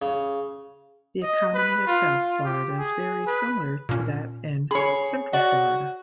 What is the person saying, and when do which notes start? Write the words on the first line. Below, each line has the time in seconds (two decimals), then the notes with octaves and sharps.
The economy in South Florida is very similar to that in Central Florida.
0.02 C#3
1.23 D#5
1.55 B4
1.87 F4
2.45 G4
2.78 G#4
3.27 B4
3.89 A#2 C#4
4.71 G#4 C#5 B5
5.33 F#4 D5 A#6